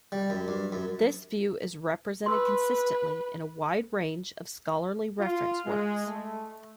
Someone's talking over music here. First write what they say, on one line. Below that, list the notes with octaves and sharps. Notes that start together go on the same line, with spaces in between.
This view is represented consistently in a wide range of scholarly reference works.
G3
F#2
G2
F#2
B4 C6 E6
F4
G#3
A3